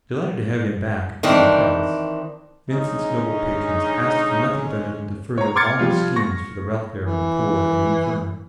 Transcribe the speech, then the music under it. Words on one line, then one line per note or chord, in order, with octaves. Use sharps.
Delighted to have him back at any price, Vincent's noble patrons asked for nothing better than to further all his schemes for the welfare of the poor and infirm.
D#3 E3 C4 D4
D3 G#3 C#4 D#4
C#5 A#5
C6 D6 F6 G#6 A6 C#7
F3 G3 F4
C#6 A#6
E3